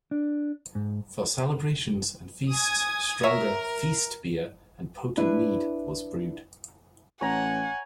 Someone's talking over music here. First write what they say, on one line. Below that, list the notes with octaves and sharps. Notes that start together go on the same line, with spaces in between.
For celebrations and feasts, stronger "feast-beer" and potent mead was brewed.
D4
G#2
G#5 D#6 G#6
A#4 C#5 E5
D4 E4 B4
A1 C#5 F#5 G#5 A#5